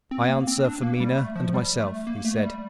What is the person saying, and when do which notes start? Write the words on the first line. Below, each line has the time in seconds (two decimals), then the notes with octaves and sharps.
"I answer for Mina and myself," he said.
0.11 C4
0.28 A#3
0.47 C4
0.64 D4
0.83 A#3
1.00 G3
1.18 A3
1.36 F3
1.54 G3
1.80 A3
2.07 A#3
2.25 A3
2.42 G3